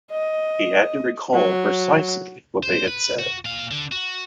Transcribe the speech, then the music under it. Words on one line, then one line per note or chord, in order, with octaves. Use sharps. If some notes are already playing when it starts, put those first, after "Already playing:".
He had to recall precisely what they had said.
D#5
F#3
C5
B4
F#4
A#2 F5
D3
F#4